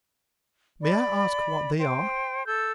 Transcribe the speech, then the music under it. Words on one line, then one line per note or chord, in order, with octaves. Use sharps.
May I ask what they are?
D5 B5
C5 G5
A4 E6 G6